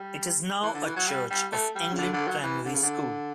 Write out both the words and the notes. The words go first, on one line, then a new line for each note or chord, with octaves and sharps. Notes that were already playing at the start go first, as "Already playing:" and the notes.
It is now a Church of England Primary School.
Already playing: G3
E3
D3
E3
F#3
G3
G3
A3
G3
C#3
D3
D3
F#3
E3
D3
C#3
D3